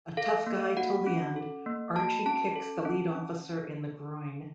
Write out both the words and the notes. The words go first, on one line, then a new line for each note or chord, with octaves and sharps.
A tough guy till the end, Archie kicks the lead officer in the groin.
A4 F5
A#3
F#4 F#5
C#4
A4
A#3
F#4 A5
C#4 A5
A4
C#4
C#4